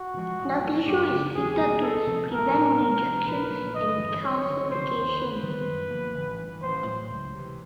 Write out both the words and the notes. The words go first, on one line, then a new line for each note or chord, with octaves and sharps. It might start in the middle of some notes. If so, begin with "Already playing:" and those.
The tissue is treated to prevent rejection and calcification.
Already playing: F#4
C#3
F3 G#3
A1
A2 F#3 A3
F#2 G4
C#3 F#3
E2 G#4
B2 G3 A#3
D2 A4
C3 F3 A3
A1 A#4
A2 F#3 A3
C2 A#4
C3 F3
A#1 B4
A#2 F#3 A3
G1 D#5
G2 E3 A3
G2 C#5
D3 F#3
F1 C5
D#2 D3
F#2 B4
D#3 G3 B3
F#2
D3 F3 A#3
A1
G2 E3
A1 C5
A2 F#3
C#2
C3 E3